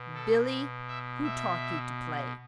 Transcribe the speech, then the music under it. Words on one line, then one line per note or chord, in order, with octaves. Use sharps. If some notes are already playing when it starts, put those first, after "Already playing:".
"Billy, who taught you to play?"
Already playing: B2
A4
E5
E5